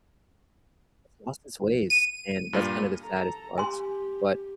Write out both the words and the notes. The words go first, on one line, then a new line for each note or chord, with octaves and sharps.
its lost its ways, and that's kind of the saddest parts. But
D#7
G2 A#2 F6
A4 A#5
G4 G#5 C6